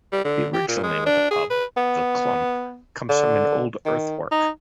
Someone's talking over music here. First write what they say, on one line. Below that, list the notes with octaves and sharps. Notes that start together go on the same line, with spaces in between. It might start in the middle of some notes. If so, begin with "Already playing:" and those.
The original name of the pub, 'The Clump' comes from an old earthwork.
G3
D3
G4
A#2
G#3
D4
G#4
B4
B3
D3
D#3
D#4